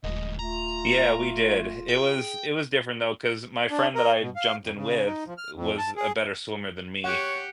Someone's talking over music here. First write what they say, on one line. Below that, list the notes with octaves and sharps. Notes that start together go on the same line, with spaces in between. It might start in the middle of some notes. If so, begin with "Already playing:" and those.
Yeah, we did, it was it was different though, 'cause my friend that I jumped in with was a better swimmer than me,
D#1 D2 G#2 D#5
A3 F4 A#5
G#4 G5
D4
A#4
B2
F5
F2
C#3
D#4
F3
F6
F2
A5
G#4
G4 C#5 F#5